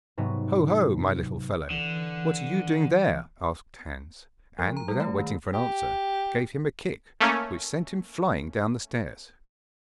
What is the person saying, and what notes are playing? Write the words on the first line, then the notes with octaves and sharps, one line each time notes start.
'Ho! ho! my little fellow, what are you doing there?' asked Hans, and, without waiting for an answer, gave him a kick which sent him flying down the stairs.
G#2 C3 F#3 B3
D3 E3
F3
A#5
G3
A3
D#3
G4
A3 A#3 C#4